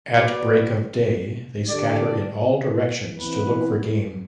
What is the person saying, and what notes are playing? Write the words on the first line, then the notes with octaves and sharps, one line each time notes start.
At break of day, they scatter in all directions to look for game.
B3 F#4 B4 D5
D3 A3 D4 G4 D5
C3 E3 B3 E4 B4